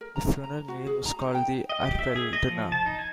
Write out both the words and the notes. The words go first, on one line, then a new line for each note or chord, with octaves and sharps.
The funeral meal was called the Arvel-dinner.
A#4
A#5
A#5
F#4
G#4
A#5
D#4
G5
D#5
G4
E5
G#4
D#5
F3
A5
D#4
G#5